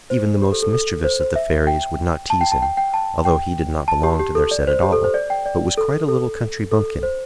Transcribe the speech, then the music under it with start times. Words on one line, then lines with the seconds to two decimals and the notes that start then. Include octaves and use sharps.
Even the most mischievous of the fairies would not tease him, although he did not belong to their set at all, but was quite a little country bumpkin.
0.10 C5
0.42 G4
0.52 A4
0.62 A4
0.73 A4
1.04 C5
1.20 C5
1.36 E5
1.67 G5
2.30 A5
2.41 G5
2.52 A5
2.62 G5
2.77 G5
2.94 A5
3.25 G5
3.88 A5
4.04 G4
4.19 G4
4.35 A4
4.51 D5
4.67 C5
4.83 G4
4.93 A4
5.04 C5
5.14 D5
5.30 G5
5.46 D5
5.77 A4
6.08 A4
6.72 A4
7.03 C5